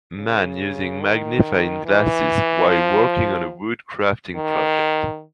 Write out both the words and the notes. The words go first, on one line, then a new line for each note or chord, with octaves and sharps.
Man using magnifying glasses while working on a wood crafting project.
C#3
D#3
E3
F3
D#3